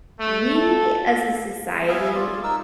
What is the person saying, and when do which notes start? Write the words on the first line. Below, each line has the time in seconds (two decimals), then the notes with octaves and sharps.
we, as a society,
0.19 A3
0.53 A4
1.88 B3 E5 F5 G#5
2.15 F4 D5
2.43 D#4 A#4 E6